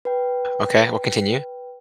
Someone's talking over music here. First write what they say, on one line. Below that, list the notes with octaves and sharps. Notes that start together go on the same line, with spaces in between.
Okay, well, continue.
B4 G5